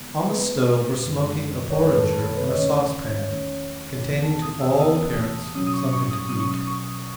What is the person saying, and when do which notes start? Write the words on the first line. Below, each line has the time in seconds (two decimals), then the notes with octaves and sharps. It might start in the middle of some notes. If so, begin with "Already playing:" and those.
On the stove were smoking a porringer and a saucepan, containing to all appearance something to eat.
Already playing: C#3 G#3 B3
0.29 C#3 G#3 B3 B4
1.04 F#2 D#3 G#3
1.70 C#5
1.80 F#2 D#3 G#3 B4
1.98 A4
2.17 A4
2.36 B4
2.49 D#5
2.54 E2 D#3 A3 C#4 C#5
3.30 E2 D#3 A3 C#4
4.05 E2 C#3 E3 B3
4.23 A5
4.42 D#6
4.61 E6
4.80 E2 C#3 E3 B3 D#6
5.55 B2 F#3 C#4 D#6
5.67 D#6
5.74 C#6
5.93 C#6
6.11 D#6
6.29 B2 F#3 C#4 D#6
6.40 C#6
6.51 D#6
6.67 C#6